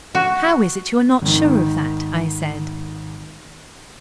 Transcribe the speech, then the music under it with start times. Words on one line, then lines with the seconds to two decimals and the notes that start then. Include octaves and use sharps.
"How is it you are not sure of that?" I said.
0.15 F#4
1.22 G#1 D#3